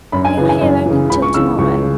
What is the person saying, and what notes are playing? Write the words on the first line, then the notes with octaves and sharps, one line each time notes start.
We are here only till to-morrow.
F#2 B5
G#5
C#3 E3 B4
G#5
F#2
C#3 E3
C#2 B5
C#6
C#3 E3 E6
C#2 C#6
C#3